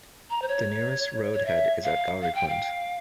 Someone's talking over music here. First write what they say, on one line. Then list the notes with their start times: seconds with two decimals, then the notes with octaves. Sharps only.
The nearest road head is at Gaurikund.
0.30 A#5
0.42 C5
0.48 C#5
1.34 C#5
1.46 E5
1.84 F5
2.22 F5
2.35 G5
2.48 F5